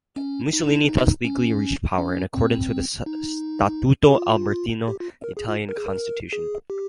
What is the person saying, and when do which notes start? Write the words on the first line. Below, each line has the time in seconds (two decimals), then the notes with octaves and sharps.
Mussolini thus legally reached power, in accordance with the Statuto Albertino, the Italian Constitution.
0.16 C#4
0.53 D#4
0.89 D#4
1.25 C#4
1.98 C#4
2.34 C4
3.06 D#4
4.09 G4
4.15 F4
4.88 G4
5.00 F4
5.24 A#4
5.37 G#4
5.48 F4
5.69 A#4
5.77 G#4
5.86 A#4
6.33 G#4
6.70 G4